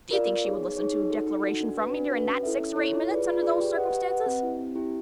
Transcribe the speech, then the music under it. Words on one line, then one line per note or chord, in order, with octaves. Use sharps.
Do you think she would listen to a declaration from me during that six or eight minutes under those circumstances?
F4 A#4 D5 F5
B3
D#4 G#4 C#5
B3
D#4 G#4 C#5
D#4
F#4 A4
D#4
F#4 A4
D4
F#4 B4
D4
F#4 B4
C#4
E4 A4 C#5 E5
C#4
E4 A4 C#5 E5
F4
G#4 B4 D5
F4
G#4 B4 D5
G4
B4 D#5 F#5
G4
B4 D#5 F#5
C4
E4 G4
C4
E4 G4